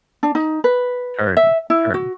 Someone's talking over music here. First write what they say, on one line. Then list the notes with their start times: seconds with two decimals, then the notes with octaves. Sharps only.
Heard. Heard.
0.23 D4
0.35 D#4
0.64 B4
1.37 E5
1.70 E4
1.94 F#4